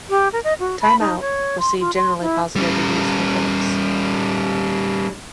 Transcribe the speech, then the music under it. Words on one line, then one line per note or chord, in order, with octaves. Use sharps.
"Time Out" received generally positive reviews from critics.
G4
A#4
D#5
F#4
B5
D#4
C#5
C6
F4
C6
E4
G3 C#4